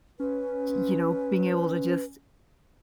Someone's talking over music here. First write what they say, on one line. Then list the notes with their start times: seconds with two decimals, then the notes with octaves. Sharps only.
y you know, being able to just
0.20 C#4 B4